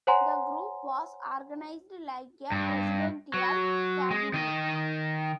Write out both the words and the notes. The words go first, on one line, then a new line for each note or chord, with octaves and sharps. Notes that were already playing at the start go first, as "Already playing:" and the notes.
The group was organized like a presidential cabinet.
C5 C#5 F#5 G#5 A#5 C6
G2
F#3
G#3
D#3 D#5